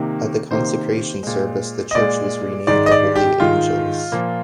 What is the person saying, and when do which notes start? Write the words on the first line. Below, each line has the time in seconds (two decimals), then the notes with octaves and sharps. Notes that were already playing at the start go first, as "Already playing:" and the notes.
At the consecration service the church was renamed 'The Holy Angels'.
Already playing: C3 D#3 A#3
0.51 C3 D#3 A#3 C5
1.23 A#2 G#3
1.91 D#5
1.95 A#2 G#3 D5
2.67 G#2 D#3 G#3 D5
2.86 D#5
2.91 D5
3.16 G4
3.40 G#2 D#3 G#3 F4
4.12 A#2 F3 A#3